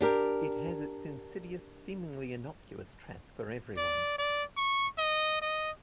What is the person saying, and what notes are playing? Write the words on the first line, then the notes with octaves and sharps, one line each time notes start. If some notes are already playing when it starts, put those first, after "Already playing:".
It has its insidious, seemingly innocuous trap for every one.
D4 G4 A#4
D5
D5
C#6
D#5
D#5